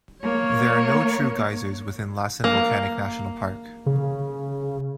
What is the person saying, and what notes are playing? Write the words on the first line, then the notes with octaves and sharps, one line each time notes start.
There are no true geysers within Lassen Volcanic National Park.
A#3 C#5
A#3
C#3